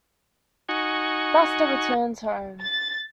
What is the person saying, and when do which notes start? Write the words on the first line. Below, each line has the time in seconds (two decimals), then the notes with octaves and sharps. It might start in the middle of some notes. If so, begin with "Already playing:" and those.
Buster returns home.
0.69 D#4 F#4 G#5 C#6
2.61 A6